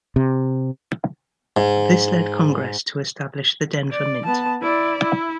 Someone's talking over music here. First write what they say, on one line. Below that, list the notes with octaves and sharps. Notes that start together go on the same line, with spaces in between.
This led Congress to establish the Denver Mint.
C3
G#2
D5
B3 A5
E4 D5
E4